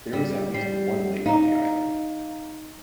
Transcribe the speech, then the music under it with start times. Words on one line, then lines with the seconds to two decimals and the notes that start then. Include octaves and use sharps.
There is at least one lake on the island.
0.13 G3
0.54 G3 C7
1.26 D#4 F5 A#5